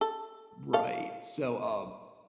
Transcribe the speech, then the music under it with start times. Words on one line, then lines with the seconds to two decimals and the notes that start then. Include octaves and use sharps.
Right, so, um,
0.01 A4
0.73 A4 F5